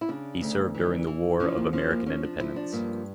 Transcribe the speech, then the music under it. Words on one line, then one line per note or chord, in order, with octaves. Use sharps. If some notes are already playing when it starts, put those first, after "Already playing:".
He served during the War of American Independence.
E4
C#3 D4
D2
E3
E3
F3 C#4
A#3
F3 C#4
A#3
F3 C#4
D4
F3 E4
D4
G2 A#3